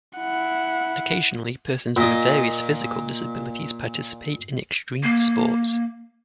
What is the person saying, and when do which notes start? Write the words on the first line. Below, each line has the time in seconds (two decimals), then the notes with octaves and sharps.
Occasionally persons with various physical disabilities participate in extreme sports.
0.18 E4 F#5
1.96 A#2 D#5
5.03 A#3